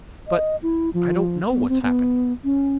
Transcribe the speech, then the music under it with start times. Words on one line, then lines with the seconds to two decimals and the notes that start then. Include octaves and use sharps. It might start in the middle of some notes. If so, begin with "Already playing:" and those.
"But I don't know what's happened."
0.28 D#5
0.63 E4
0.94 F3
1.52 B3
1.69 C4
1.83 B3
2.44 C#4